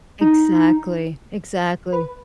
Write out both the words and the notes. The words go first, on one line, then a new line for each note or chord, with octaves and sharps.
Exactly, exactly.
D#4
B4